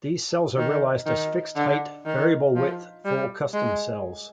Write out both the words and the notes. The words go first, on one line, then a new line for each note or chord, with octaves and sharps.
These cells are realized as fixed-height, variable-width full-custom cells.
D#3
D#3
D3
D#3
F3
G3
G#3